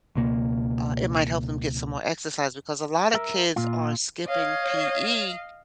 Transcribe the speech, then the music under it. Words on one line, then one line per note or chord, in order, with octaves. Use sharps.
uh, it might help them get some more exercise, because a lot of kids are skipping PE
C#2 B2 A#3
A#4 E5
A#2 F4
C#5 D#5 F5